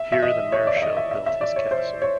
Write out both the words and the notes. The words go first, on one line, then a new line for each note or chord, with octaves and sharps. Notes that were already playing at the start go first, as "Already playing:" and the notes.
Here the Marischal built his castle.
Already playing: E5
E5
D#5
C#5
D5
E5
D#5
E5
E5
E5
D5
C#5
C5
C#5